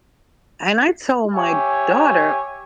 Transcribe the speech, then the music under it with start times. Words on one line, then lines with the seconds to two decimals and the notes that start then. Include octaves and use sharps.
And I told my daughter,
1.35 G4 C#5 E5 G#5